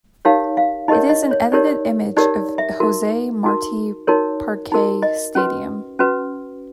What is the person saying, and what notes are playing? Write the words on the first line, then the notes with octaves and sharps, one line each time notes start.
It is an edited image of Jose Marti Parque Stadium.
D#4 G4 A#4 C#5 F5
F5
D#4 G4 A#4 C#5 D#5
D#5
C#5
D#4 G4 A#4 C#5 D5
D#4 G4 A#4 C#5 D5
E5
D#4 F#4 A#4
D#4 F#4 A#4
D#4 F#4 A#4 C#5
D#4 F#4 A#4
D#5
C#4 F#4 B4
C#4 F#4 B4